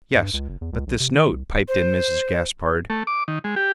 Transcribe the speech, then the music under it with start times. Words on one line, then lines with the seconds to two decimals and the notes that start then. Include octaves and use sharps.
"Yes, but this note--" piped in Mrs. Gaspard.
0.15 G2
0.34 C#2
0.49 F#1
0.61 E2
0.73 C#2
0.87 B1
1.00 C3
1.14 D#3
1.31 C2
1.68 C5
2.90 A3
3.07 D6
3.28 D#3
3.44 G#3
3.56 G4